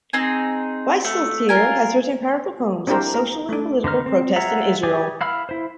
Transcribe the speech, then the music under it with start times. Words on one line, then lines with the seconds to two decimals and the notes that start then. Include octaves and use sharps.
Wieseltier has written powerful poems of social and political protest in Israel.
0.13 C4 D#4 G#4
1.05 A3
1.49 F4 A#4 G#5
2.87 C4 D4 E4 G4 A#4 C5
3.14 A#4
3.49 A3 D4
3.84 D3 D#3 D#4 F6
4.06 C4
4.36 F4 G#4 E5 F#5 A#5
4.83 G4 G#4 D5 G#5
5.21 E4 F5 B5 E6 F6
5.49 E4 C5